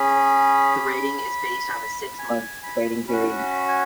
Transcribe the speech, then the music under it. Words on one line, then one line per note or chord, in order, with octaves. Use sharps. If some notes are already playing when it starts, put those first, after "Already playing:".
The rating is based on a six-month trading period.
Already playing: C#4 G#4 B5
G#5
B5
C#4 F#4 B5
B5
G#5